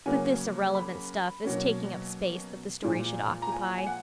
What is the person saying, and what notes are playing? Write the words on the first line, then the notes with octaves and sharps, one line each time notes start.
But this irrelevant stuff is taking up space that the story should occupy.
C#3 F#3 A#3 C#4 G#5
B5
B2 F#3 A#3 C#4
A#2 F3 G#3
A#5
G#5
G#5
F#5